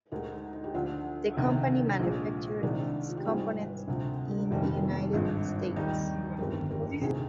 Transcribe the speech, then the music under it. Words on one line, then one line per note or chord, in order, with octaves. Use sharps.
The company manufactures its components in the United States.
D2 D3 G#3 G4 A#4
D#4
D#4
G4
D2 D3 F3 D4 F4
D2 C3 D#3
A#1 A#2 G#3
C2 C3 D#3 G#3 D4
F4
G4
G#1 G#2 G3 F4 G#4
D2 C3 F3
F1 F2 D#3 G3
G#1 G2 F3 G#3
D#2 D#3 G3 D#4 G4
G1 F2 D#3 G#3 G4 A#4
G4 A#4
D2 C3 D#3 F4 G#4